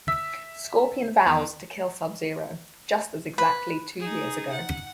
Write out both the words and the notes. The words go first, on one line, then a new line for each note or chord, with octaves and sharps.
Scorpion vows to kill Sub-Zero just as exactly two years ago.
E5 E6 B6
E2
B4
D#4 G#4
F#5